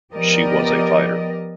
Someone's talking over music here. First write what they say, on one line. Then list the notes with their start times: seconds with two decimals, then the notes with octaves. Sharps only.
She was a fighter.
0.14 F3 B3 G4 A#4 D5 D#5